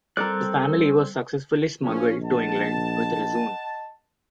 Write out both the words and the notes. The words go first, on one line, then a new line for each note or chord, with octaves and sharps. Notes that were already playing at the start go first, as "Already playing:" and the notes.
The family was successfully smuggled to England with Rezun.
G3 C4 A4 A#4 D5 F#6
A#1 F3 C#4
D#5 F#5 A5